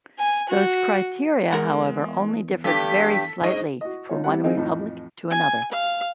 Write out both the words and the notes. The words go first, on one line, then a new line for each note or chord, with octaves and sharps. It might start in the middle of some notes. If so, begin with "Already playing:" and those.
Those criteria, however, only differed very slightly from one republic to another.
G#5
F#4
E2 G#3 A#4 F#5
G2 G4 A4 B6
G#2 D#5
F#4 D#5
D#4 F4 C#5
G3 C4 E4 F#5
D#3 C4 D#4 F4 G#4
F2 A2 E3 D#4
G#5
F5